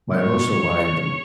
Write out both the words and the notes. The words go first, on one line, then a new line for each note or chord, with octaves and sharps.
my emotional mind
C#5